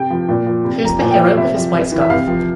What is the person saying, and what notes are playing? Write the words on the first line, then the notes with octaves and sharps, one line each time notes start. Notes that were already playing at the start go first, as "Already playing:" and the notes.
Pooh’s the hero with his white scarf.
Already playing: C3 G5
F3
A#2
F3
C3
F3 A#5
A#2 G#5
G5
F3
F5
C3 E5
F3
C3
E3
E5
C3 F5
F3